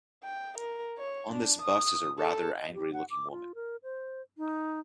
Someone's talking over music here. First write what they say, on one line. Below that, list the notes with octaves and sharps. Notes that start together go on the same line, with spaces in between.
On this bus is a rather angry looking woman.
G5
A#4
C#5
D4
D#6
A4
D#5
G4
F#5
D6
F4
A#4
C5
D#4